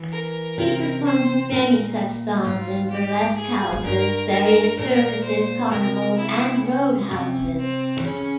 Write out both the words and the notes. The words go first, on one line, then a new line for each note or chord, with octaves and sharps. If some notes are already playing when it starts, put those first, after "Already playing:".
He performed many such songs in burlesque houses, various circuses, carnivals, and roadhouses.
Already playing: E3
A#4
C3
C5
A#2 A#4
G#2 F4
G4
G#4
G2 A#4
A#4
A#2 A#4
C5
C3 A#4
E4
C#4
C3
C4
E3
C#3 C#4